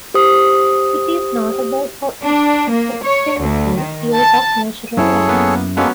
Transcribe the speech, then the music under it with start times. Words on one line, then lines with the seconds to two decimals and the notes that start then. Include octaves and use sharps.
It is notable for its extensive use of natural light.
0.14 G4 C5 D#6
2.23 D4
2.70 A#3
3.02 C#5
3.40 D2
3.77 D#3
4.13 A5
4.97 F#2 E4 G#4 A4 C#5
5.28 A#3 B3
5.77 F#3 G#3 A#3 B3 C#4 A4